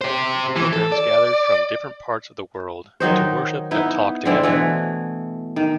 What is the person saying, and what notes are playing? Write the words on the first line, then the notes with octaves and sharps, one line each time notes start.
Youth pilgrims gathered from different parts of the world to worship and talk together.
G4 C5
E3
A4
D5
D#3 F#3 D#4 C5
B3 D#4 E4
D3 G#3 C4 E4
B2 E3 A3
D#3